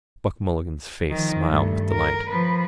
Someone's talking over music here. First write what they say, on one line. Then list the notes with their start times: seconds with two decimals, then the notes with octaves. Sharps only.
Buck Mulligan's face smiled with delight.
1.10 D#3 F3
1.49 G2 A3
1.92 A#4
2.30 F3 B4